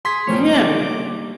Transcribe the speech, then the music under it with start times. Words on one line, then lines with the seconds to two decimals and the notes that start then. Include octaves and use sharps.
Yeah, maybe.
0.05 G#4 C6 B6
0.27 A2 C3 F3 G3 A#3 C#4 C#5
0.56 D6